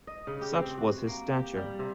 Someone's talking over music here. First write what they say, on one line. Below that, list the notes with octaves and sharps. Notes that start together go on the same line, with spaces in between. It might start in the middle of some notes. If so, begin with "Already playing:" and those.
Such was his stature.
D#5
C#3
G4
C4
F#4
A#3
G4
G3
C3